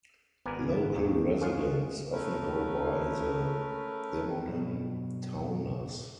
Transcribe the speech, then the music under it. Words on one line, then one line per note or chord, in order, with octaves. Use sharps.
Local residents often go by the demonym Towners.
G#1 B3 A#4 D5 G#5
D#2
F4 G#4 C#5 D#5 F5 F#5
A3 C#4 A#4 B4
G2 B2 F#3 G3